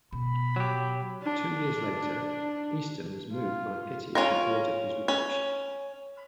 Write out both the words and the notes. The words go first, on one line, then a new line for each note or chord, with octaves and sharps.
Two years later, Easton was moved by pity and ordered his redemption.
B2 B5
F#3 G4
D4
F4
C#4 F4 A#4
C#4